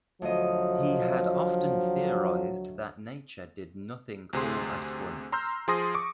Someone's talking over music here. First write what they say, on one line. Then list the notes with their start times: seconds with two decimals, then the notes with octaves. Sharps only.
He had often theorized that nature did nothing all at once.
0.22 D2 F3 F#3 D#5
4.33 D2 C3 G#4 C6
5.32 A#5 C6 E6 F6 G6
5.68 F3 G#4 C6 D#6 A#6
5.95 C#6 D6